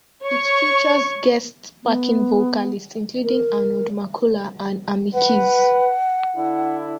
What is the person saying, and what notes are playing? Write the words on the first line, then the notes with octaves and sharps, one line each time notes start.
It features guest backing vocalists, including Arnold McCuller, and Amy Keys.
C#5 C#6
B3
A#4
B4 F#5
D3 D4 E4